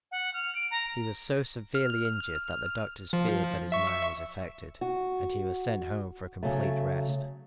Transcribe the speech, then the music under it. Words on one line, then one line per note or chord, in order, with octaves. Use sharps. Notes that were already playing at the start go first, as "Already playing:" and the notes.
He was so severely injured that the doctors feared that his mind was affected, and he was sent home for a complete rest.
F#5
F6
D7
A#5
F6
F3
E5 C#6
F#4
C#3 F#3 A3